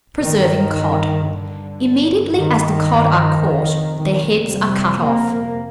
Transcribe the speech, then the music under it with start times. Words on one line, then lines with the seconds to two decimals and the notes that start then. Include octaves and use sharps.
PRESERVING COD.--Immediately as the cod are caught, their heads are cut off.
0.20 G2 D#3
1.26 G2 D3
2.33 G2 D#3
3.39 F2 C3
3.92 D#3
4.44 F2 C3 G3
4.97 A#3